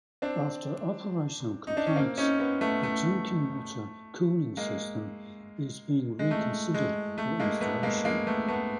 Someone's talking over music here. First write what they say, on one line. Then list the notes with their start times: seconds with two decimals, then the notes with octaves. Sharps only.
After operational complaints the drinking water cooling system is being reconsidered for installation.
0.22 C4 D4
1.67 D#4
1.77 D4
1.86 C#4
1.96 A#3 C4
2.18 C#4 D#4
2.40 B3 C#4
2.61 A3 B3
2.83 A3
4.57 G#3 A#3
6.19 G#3
6.31 A3
6.74 G#3
7.18 A3
7.40 G#3 A#3
7.61 A3 B3
7.83 G#3 A#3
8.05 G#3 A#3
8.27 A3 B3
8.48 A3 B3